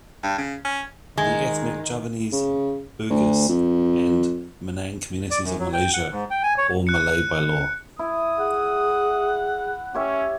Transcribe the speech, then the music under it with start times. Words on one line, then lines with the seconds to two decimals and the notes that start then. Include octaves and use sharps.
The ethnic Javanese, Bugis and Minang communities of Malaysia are all "Malay" by law.
0.23 G2
0.38 C#3
0.65 C#4
1.18 D#3 G#3
2.32 C#3
3.10 D2
3.48 F2
5.31 D5
5.44 F#2
5.59 F#3
5.73 G5
5.93 F#5
6.12 G#2
6.31 G5
6.43 G#5
6.58 C#5
6.87 F#6 C#7
7.99 E4 D#6
8.38 G#4 F#5
9.95 C#4 G4 C#5 E5